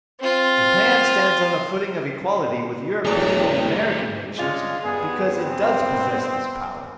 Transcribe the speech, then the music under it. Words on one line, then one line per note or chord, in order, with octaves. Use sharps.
Japan stands on a footing of equality with European and American nations because it does possess this power.
C4 F4
E1 F2 A2 G3 A3 G#4 D5 A#5
G#3 C#4 D4 F4
G2 B3 G#4
C4